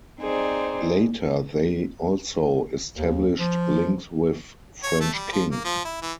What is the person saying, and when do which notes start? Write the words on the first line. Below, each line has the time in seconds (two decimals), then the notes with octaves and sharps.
Later they also established links with French kings.
0.20 C4 D#4 G#4 C5 D5
2.97 D#2
3.39 F3
4.83 C#5
5.01 A3
5.14 G3
5.32 F3
5.51 A#3
5.65 F3
5.85 E4
6.02 E3